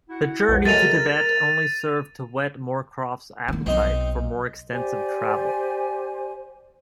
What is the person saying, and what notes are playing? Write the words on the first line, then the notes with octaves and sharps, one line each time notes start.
The journey to Tibet only served to whet Moorcroft's appetite for more extensive travel.
E4 F#4 F#5
B1 F2
F#3 G#3 A3 A#4 A6 D#7 F7
D#3 A#3
B1 C4 D#4 C5
G4 C5 D5 G#5